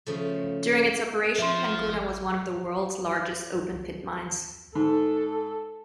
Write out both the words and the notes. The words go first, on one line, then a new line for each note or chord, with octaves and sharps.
During its operation Panguna was one of the world's largest open-pit mines.
C#3 F3 A3
F3 E5 C6
G#2 A4